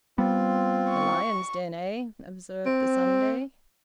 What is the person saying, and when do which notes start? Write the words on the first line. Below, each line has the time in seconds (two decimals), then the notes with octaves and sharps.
"The lion's den, eh?" observed the Sunday.
0.18 G3 B3 C4 F4
0.90 C#6
2.66 C4